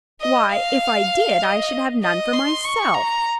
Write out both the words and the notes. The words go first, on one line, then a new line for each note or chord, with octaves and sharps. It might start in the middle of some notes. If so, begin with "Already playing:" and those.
Why, if I did, I should have none for myself.
D#5
F5
D#5
D#5
C6
C#6
A#5